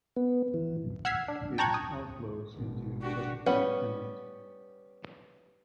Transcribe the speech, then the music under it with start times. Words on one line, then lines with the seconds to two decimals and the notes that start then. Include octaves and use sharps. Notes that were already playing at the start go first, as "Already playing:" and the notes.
Its outflows into Chesterfield Inlet.
0.16 B3
0.54 E3
1.05 F#5 E6 F6 G#6 B6 C7
1.28 D4
1.58 G5 A5 A#5 C#6 F#6 G#6
1.74 D#6
2.53 G#1 B2
3.02 D4 F#4 G4
3.46 G3 B3 C#4 B4 F#5